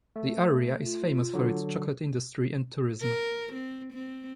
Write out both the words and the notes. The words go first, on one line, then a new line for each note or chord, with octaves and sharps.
The area is famous for its chocolate industry and tourism.
A3
F4
D3 F#3
A#4
C4
C4